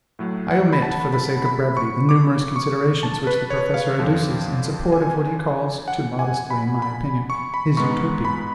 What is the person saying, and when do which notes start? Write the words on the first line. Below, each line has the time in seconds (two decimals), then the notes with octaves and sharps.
I omit, for the sake of brevity, the numerous considerations which the professor adduces in support of what he calls, too modestly in my opinion, his Utopia.
0.19 A2 F#3 A3
0.51 F#5
0.72 B5
0.82 A5
1.14 B5
1.46 B5
1.77 C#6
2.09 D6
2.56 C#6
3.03 A5
3.27 B4
3.50 C#5
3.74 F5
3.98 F2 D3 F3
4.93 G#5
5.88 F#5
6.19 G#5
6.50 B5
6.82 B5
7.30 C#6
7.54 B5
7.77 G#2 G#3 B3 C#6
8.25 B5